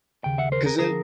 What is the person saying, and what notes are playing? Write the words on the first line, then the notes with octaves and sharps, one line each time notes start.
'Cause then
D#2 C#3 G5
E5 F#5
A#4 C5
G#4 A#4
D3 F3 G#4 A#4